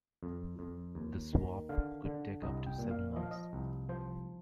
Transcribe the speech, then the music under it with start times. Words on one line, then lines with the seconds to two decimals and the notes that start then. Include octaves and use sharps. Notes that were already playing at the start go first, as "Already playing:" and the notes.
The swap could take up to seven months.
0.23 F2
0.59 F2
0.95 D#2
1.33 D#3
1.69 D3 F5
2.05 D3
2.42 C2 D#5
2.66 G5
2.79 A#2
2.91 F5
3.16 F3 D#5
3.23 F5
3.31 D#5
3.53 C2
3.89 F3 C5